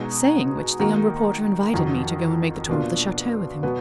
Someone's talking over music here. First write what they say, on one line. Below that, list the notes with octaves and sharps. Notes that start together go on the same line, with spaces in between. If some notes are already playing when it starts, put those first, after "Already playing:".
Saying which the young reporter invited me to go and make the tour of the chateau with him.
Already playing: B2 G#3 D#4 F#4
D#3 A#3 D#4 F#4
F2 D#3 F#3
B2 A#3 D4 F4
B2 F#3 B3